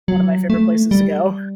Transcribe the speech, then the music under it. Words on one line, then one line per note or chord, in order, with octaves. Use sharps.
one of my favorite places to go.
F#3
A3
G3